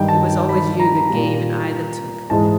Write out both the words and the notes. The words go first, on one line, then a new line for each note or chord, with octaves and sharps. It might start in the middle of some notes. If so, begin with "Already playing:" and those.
It was always you that gave and I that took.
Already playing: G2 D#3 G3 G5
A5
B5
A#5
A#2 G3
G#2 E3 G#3 A5